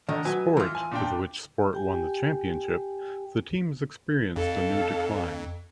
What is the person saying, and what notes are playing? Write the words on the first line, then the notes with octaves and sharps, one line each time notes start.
Sport, with which Sport won the championship, the team has experienced a new decline.
D3 D#3 D#5
F#3 B4 G#5
E3 F4
G#5
A#2 D4 G5
G4 G5 G#5
F2 A4 F5